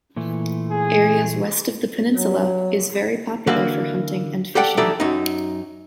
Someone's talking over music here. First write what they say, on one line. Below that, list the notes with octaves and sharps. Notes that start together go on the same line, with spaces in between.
Areas west of the peninsula is very popular for hunting and fishing.
A#2 E3 A3
G#4
F#3
D3 E3 A#3 F#4
G4 A4 D5 F#5 G5
E3 D#4 G4 A4 D5
F#2 D#4